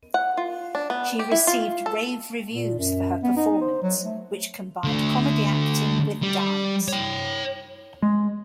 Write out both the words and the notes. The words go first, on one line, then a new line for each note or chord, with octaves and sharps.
She received rave reviews for her performance, which combined comedy acting with dance.
F#5
F4
D4
B3
G4
E4
F4
A4
A#2
F#2
B3
D#4
C5
F#3
A3
D3 A3
G3
C#5 G5
G#3